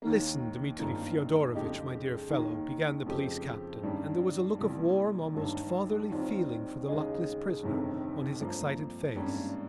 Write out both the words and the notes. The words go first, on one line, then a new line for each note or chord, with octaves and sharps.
"Listen, Dmitri Fyodorovitch, my dear fellow," began the police captain, and there was a look of warm, almost fatherly, feeling for the luckless prisoner on his excited face.
D#2 D#3 A#3
G1 G2 D#3 A#3 F4
F2 C#3 G#3 D#4 G4
D#2 D#3 A#3
F2 C#3 F3 C4 G4
G2 D#3 G3 C#4
C2 A#2 G3
G1 G2 D#3
D#2 D#3 G3 C4 F4
D#2 C#3 G#3 D#4 G#4
G1 F2 C3 D#3
G2 F3 A#3
G#1 G2 G3 A#3 C#4